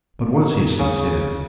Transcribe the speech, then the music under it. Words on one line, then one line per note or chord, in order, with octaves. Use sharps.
But was he sincere?
C#3